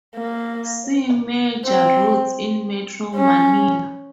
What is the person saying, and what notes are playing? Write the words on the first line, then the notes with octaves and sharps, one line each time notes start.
See Major roads in Metro Manila.
A#3
C4
C#4